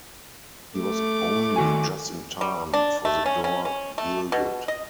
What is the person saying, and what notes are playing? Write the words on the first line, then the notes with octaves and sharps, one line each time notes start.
He was only just in time, for the door yielded.
A3 D6
D#3 F#4 G#5
G3
D4
A3
C#4
C#4
C#4
A3
B2
D#5